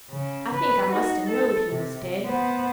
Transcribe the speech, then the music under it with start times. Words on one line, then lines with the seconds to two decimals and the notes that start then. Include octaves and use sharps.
I think I must 'a' knowed he was dead.
0.11 C#3
0.55 B4
0.91 D#4 F#4
1.27 A4
1.69 C3
2.25 B3 C5